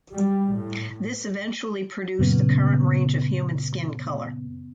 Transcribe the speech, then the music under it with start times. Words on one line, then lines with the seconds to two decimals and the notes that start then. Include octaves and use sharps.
This eventually produced the current range of human skin color.
0.14 G3
0.55 A2
2.19 F#2 A#2 C#3 B3